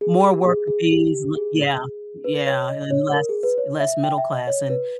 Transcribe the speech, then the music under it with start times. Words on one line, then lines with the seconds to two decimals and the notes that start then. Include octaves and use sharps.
More worker bees, le yeah, yeah, and less less middle class, and
0.01 G#4
0.23 G4
0.46 G#4
0.67 G#4
0.91 G4
1.35 G#4
2.24 B4
2.46 C#5
2.69 D#5
2.91 C#5
3.13 A#4
3.29 G#4
3.43 B4
3.58 C#5
3.80 E5
4.03 G5
4.18 E5
4.33 D#5
4.47 C#5
4.70 B4